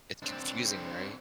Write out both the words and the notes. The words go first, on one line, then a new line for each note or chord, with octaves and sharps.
It's confusing, right?
C4 D4